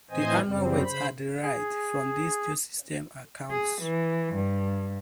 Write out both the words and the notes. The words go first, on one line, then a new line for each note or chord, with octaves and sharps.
The annual weights are derived from this new system accounts.
A2 E3 C4 C5 D#5 G#5
F#2 C#3 G3 C4
C#3 C5 B5
G#4
G#4
E3
G2